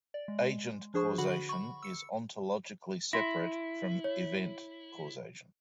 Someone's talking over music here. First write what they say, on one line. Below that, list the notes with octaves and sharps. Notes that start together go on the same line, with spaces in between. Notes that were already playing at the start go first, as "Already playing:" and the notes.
Agent causation is ontologically separate from event causation.
D5
G#3
F3 D4 G#4 C5 C#6
D3 F#4 F#5 B5 F#7
B5 C#6
E6 C#7
E4 C6 A#6
C#5